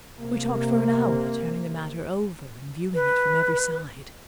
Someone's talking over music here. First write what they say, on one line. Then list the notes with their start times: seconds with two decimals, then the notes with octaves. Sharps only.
We talked for an hour, turning the matter over and viewing it from every side.
0.18 C3 A#3
2.94 B4